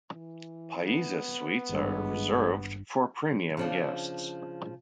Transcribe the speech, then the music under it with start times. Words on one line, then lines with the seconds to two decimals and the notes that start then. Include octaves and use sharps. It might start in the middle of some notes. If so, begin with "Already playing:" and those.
Paiza suites are reserved for premium guests.
0.12 E3
0.86 B3
1.69 G#1 G2 G#3
3.57 C#3 F3 D4